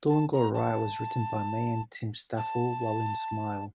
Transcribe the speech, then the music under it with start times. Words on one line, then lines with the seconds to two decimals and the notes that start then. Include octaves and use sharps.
"Doing All Right" was written by May and Tim Staffell while in Smile.
0.09 A5
0.33 A#5
0.54 A5
2.37 A5